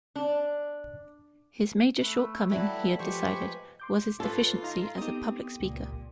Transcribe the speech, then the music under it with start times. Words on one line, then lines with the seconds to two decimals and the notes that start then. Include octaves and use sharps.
His major shortcoming, he had decided, was his deficiency as a public speaker.
0.16 D4
2.01 A3 B4
2.50 F#3 G3 A3 E4 B4 A5 B5
2.99 F3 G#3 G4 B4 C5 C#6
3.80 C6 D6 G6
4.20 F4 A4 B4 C#5
4.63 D#4 F5 A#5
4.98 B3 C4 D#4 G4 D#6
5.60 C#2 A#2